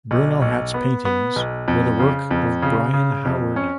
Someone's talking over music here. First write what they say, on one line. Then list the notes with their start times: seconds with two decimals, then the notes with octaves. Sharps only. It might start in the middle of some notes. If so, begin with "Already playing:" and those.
Bruno Hat's paintings were the work of Brian Howard.
0.11 B1
0.42 B1
0.74 B3
1.05 B3
1.36 B1
1.68 F2
1.99 C#3
2.31 F2
2.62 C#3
2.93 C#3
3.25 F2
3.56 C#4